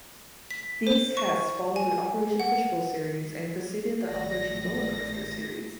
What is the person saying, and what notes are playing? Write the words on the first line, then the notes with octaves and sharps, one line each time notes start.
These tests followed the "Operation Fishbowl" series and preceded the "Operation Roller Coaster" series.
B6
C5
C#6
G#5
F#5
G#1 A2 D5 A#6